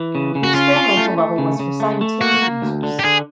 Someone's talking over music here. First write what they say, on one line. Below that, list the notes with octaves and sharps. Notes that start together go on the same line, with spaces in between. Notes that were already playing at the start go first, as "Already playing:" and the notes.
The experimental level was for scientific users.
Already playing: E3
C#3
C#3
F#4
C#4 F4
C#4
A3
A3
C#3
C#3
A3
A3
A#3 F#4
A#3
D2
D3
G4
D3 G#4